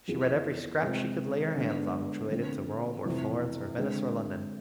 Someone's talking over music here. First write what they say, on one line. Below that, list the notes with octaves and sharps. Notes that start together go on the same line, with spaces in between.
She read every scrap she could lay her hand on which related to Rome or Florence or Venice or London.
F2 E3 B3 F4 G#4
C3 G#3 C4 F4
D3 G#3 B3 D4
D3 F3 A3 C4
F2 C3 E3 A3
D3 G#3 C4